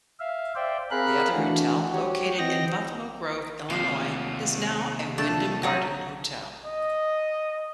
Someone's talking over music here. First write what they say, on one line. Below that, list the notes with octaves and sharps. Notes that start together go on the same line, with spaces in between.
The other hotel, located in Buffalo Grove, Illinois is now a Wyndham Garden Hotel.
E5 F5
C5 D5 E5 G5
C4 G#4 A#4 F5 B5 F#6
E3 A3 D4 F#4
F#4 G4 C#5
E3 C4 D#5 G5 A#6
D#2 C3 F4 F5
A3 D4 A5
F#3 C4 D#4
D#5